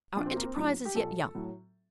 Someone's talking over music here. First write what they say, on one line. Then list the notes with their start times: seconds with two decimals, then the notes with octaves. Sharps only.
'Our enterprise is yet young.
0.16 A#1 D4
0.26 C4
0.36 A#3
0.45 C4
0.56 A2 F#3 D4
0.85 G4
0.95 A#1 A4
1.35 A2 F#3